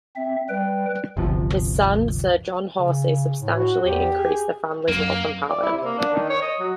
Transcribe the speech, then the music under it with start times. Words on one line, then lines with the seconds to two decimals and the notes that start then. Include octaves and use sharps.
His son, Sir John Horsey substantially increased the family's wealth and power.
0.16 C4 E5
0.49 G3 B4 G5
1.17 G1 D2 C3 F3
2.79 C#3
3.40 A2
3.54 F#4
3.83 E2 G4
4.17 G#4
4.88 F#2 A#3
5.49 D5
5.62 E4
5.73 C3
5.85 A#3
5.98 D4
6.13 D#3
6.30 C#5
6.42 D#5
6.60 F#3